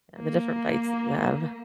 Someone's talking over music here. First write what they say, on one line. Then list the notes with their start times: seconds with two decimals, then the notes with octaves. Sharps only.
Yeah. The different fights that you have.
0.18 A#3